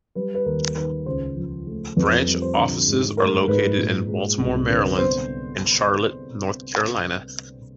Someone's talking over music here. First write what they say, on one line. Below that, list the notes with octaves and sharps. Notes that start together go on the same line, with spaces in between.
Branch offices are located in Baltimore, Maryland and Charlotte, North Carolina.
G3 B4
B4
D#2 A#4
D#3 B4
C#2 C5
F3
A3
F2 B4
G3
C5
D3
G#2
A3 A#4
G#2 B4
A#2
G#3
C2
D3 B4
B3 C5